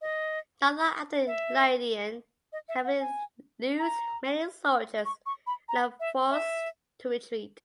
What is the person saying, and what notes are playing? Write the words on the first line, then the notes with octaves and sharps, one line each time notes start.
Not long after the Lydian cavalry lose many soldiers and are forced to retreat.
D#5
E5
D#5
E5
F#5
G#5
A#5
C#6
C#6
B5
A#5
E5
E5